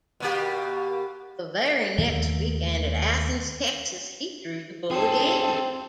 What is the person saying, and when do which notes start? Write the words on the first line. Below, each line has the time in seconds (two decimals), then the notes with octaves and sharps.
The very next weekend at Athens, Texas, he drew the bull again.
0.20 B2 A#3 G4
1.98 D#2 D#3 A3
4.91 C4 D#4 G#4 A4 C5 A5